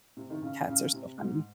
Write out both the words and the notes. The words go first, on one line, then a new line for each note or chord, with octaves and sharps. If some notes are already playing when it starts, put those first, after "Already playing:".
Cats are so funny.
C3
D#3
C#3
C#3
C3
G#2